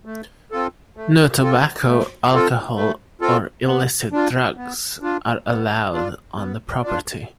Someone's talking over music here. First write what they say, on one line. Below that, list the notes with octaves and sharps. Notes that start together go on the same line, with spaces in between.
No tobacco, alcohol, or illicit drugs are allowed on the property.
A3
C4 F4 A4
A3
C4 F4 A4
A3
C4 F4 A4
A3
C4 F4 A4
B3
D4 F4
B3
D4 F4
B3
D4 F4
B3
D4 F4